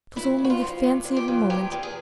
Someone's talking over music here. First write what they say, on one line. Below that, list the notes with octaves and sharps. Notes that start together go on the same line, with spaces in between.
'Twas only the fancy of a moment.
F2 E4
F2
F#4
F4
F3
C3
F2
G4
F2
E2 G4
E2
G#4